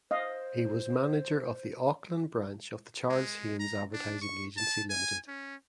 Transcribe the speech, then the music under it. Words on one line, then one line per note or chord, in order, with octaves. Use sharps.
He was manager of the Auckland branch of the Charles Haines Advertising Agency Limited.
C5 D#5 F5
G#3
A#5
D4
C#6
A5
G#5
C#4